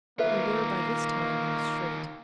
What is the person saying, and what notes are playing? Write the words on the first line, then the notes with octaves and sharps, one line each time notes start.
We were by this time in the street.
D#3 A#3 F4 B4 E5